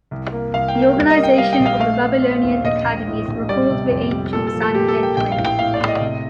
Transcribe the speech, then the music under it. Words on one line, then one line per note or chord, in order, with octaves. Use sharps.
The organization of the Babylonian academies recalled the ancient Sanhedrin.
C2
A#3
C2 F5
G5
A#3
G5
G3
D#5
A#3
G5
G3 F5
G5
A#1
F5
A3 F5
A3
C4
D#2
A#1 D#5
A#1
A2
A#1
G3 D5
C3
F2
G3
A#2 A4
A4
F3
A4
A#2 G4
A4
A#3
G5
A#1 G5
F5
A2
G5
A2 F5
D5
A2
D#5
C3